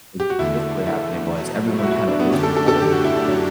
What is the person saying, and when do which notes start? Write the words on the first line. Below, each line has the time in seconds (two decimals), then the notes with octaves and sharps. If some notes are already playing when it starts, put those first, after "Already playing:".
because what was basically happening was everyone would kinda roast each other?
0.20 G4
0.30 F#4
0.39 E2 D3 A3 E4
0.87 E4
1.35 B2 F#3 A3
1.78 E4
1.83 F#4
1.91 E4
1.96 F#4
2.08 D4
2.20 B3
2.31 F#2 D3 A3 C#4 D4 G4
2.43 A4
2.56 A4
2.68 A4
2.80 G4
2.92 F#4
3.05 E4
3.17 D4
3.28 F#3